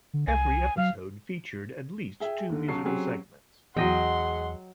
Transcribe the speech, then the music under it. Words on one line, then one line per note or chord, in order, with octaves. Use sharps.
Every episode featured at least two musical segments.
D3
C2 G#5
F#3 F5
G#4 E5 G5 G#5
D#2 D3
B1 C#3 F#3 A5 C#6 C7
F#3 C4 C#4 G4 G#4
E2 F#3 G#3 D#5 F#5 G5 C6